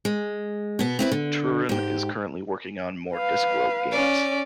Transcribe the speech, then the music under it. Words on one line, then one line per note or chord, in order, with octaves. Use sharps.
Truran is currently working on more Discworld games.
G#3
B2 B3
C4 E4 B4
D3
G#2 G4
B4 F5
C#4 D5